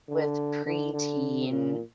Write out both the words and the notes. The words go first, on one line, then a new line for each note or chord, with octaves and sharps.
with preteen
D3
D3
D3
A#2